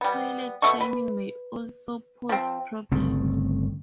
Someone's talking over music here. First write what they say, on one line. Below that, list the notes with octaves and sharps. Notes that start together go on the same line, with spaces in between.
Toilet training may also pose problems.
G3 B3
B2 A3 E5 C#6
B4
F3 C4
G1 C#3 A3 C4